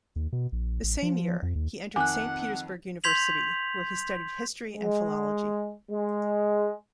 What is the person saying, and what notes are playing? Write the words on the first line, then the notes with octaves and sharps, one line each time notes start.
The same year he entered Saint Petersburg University, where he studied history and philology.
D#2
B2
A#1
A1
F3
F2
D#2
F2 D#3 F#5 G#5 D6 F#6
C6 G6 G#6 B6 F7 F#7
G#3
G#3